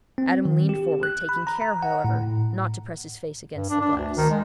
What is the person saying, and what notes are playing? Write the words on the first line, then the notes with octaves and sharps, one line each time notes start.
Adam leaned forward, taking care, however, not to press his face against the glass.
C4
D#3
G4
F#6
B5
A#5
A#5
F#5
A2
G2
D4
D4
D2
D#3
G#3